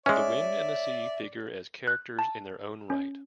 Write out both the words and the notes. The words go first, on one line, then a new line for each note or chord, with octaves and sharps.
The wind and the sea figure as characters in their own right.
G#3 C#4 C#5 D5 E5
F#6
A5
C#4